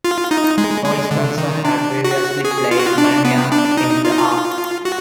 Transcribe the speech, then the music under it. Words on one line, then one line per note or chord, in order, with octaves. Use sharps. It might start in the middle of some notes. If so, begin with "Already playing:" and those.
Roy Spencer had previously played Manyak in "The Ark".
F4
D#4
G#3
G#3
D3
D#3
D4
F#4
G#4
F4
F#4
F4
D4
B3
D4
D#4
F4
D#4
F4
F#4